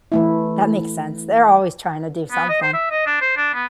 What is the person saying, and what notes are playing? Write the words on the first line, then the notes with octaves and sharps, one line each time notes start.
That makes sense. They're always trying to do something.
E3 A3 E4
B3
D#5
C5
E5
D#5
D4
C5
D4
B3